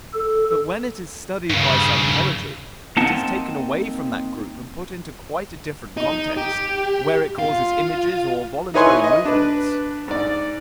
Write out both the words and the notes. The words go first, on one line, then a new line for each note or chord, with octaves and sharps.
But when it is studied by psychology, it is taken away from that group and put into quite a different context, where it causes images or voluntary movements.
A4
G2 C#3
A#3 C4 D#4 F#5 A5
D#4
G4
F4
D#4 E4 B4 C#5 G#5 C6
D#5
D4 B4
G#2 D5